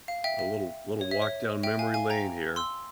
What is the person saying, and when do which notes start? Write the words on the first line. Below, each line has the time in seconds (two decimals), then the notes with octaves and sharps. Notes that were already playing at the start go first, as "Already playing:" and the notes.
a little little walk down memory lane here.
0.08 F5
0.24 E5 G5
0.39 E5
1.01 C#5
1.11 E5
1.22 C#5
1.63 E5 G5
1.79 F5 G#5
1.94 F5 G#5
2.10 G5 A#5
2.56 C6 E6